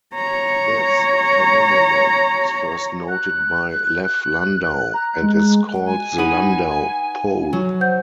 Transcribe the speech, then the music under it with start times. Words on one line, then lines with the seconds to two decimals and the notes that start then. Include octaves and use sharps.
This phenomenon was first noted by Lev Landau, and is called the Landau pole.
0.14 C#5 A#5
3.09 F#6
4.94 A#5
5.23 G#3
5.85 G#5
6.18 D#4 B4 F#5 D#7
7.53 F#3
7.80 C5 F#5 G6